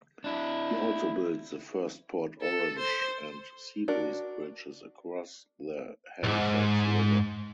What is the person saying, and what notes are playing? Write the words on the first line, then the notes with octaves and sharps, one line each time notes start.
He also built the first Port Orange and Seabreeze bridges across the Halifax River.
D4 E4
A4
C5
D4 F#4 A#4
B1 G#2